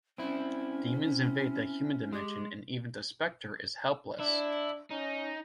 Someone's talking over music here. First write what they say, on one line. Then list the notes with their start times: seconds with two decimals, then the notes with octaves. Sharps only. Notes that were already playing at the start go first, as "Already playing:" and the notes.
Demons invade the human dimension and even the Spectre is helpless.
0.18 C4 C#4 E4
2.13 G#3 G4
4.20 D4 E4
4.91 C#4 D#4